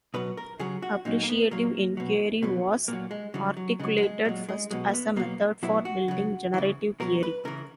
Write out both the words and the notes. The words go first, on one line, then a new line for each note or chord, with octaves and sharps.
Appreciative Inquiry was articulated first as a method for building generative theory.
B2 F#3 B4
A#4
C#3 F#3 G#4
F#4
A#2 F#3 D#4
A#3
B3
A#2 F#3 A#3
B2 F#3
B2 F#3 B3
A#2 F#3 A#3
G#3
C#3 E3 F#3
F#3
C#3 F#3 G#3
F#3
G#3
A#2 F#3 G#3
G#3
B2 F#3 G#3
A#3
B3
B2 F#3 A#3
B2 F#3 E4
F#4
C#3 F#3
C#3 E3
B2 F#3 A#4
B4
C#3 E3 A#4